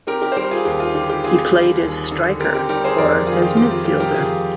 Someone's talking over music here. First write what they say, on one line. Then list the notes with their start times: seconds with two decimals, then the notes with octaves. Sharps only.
He played as striker or as midfielder.
0.07 C4 G4 A#4
0.22 G4 A#4
0.32 C5
0.36 G3 G4 A#4
0.51 F4 G#4
0.65 D#2 G4
0.80 F4
0.94 D3 G4
1.09 G4
1.24 C4 F4 G#4
1.53 G3
1.82 D#2
2.11 D3
2.40 C4 G4 A#4
2.54 G4 A#4
2.69 G3 G4 A#4
2.84 G#4 C5
2.98 F2 A#4 D5
3.27 D#3 F4 G#4
3.42 G4
3.57 C4 G4
3.71 F4
3.85 G3 G4
4.00 G4 A#4
4.14 F2 F4 G#4